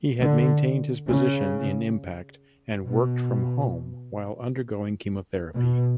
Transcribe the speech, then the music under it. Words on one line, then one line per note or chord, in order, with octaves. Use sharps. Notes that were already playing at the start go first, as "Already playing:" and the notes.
He had maintained his position in Impact and worked from home while undergoing chemotherapy.
D3
C#3
B2
B2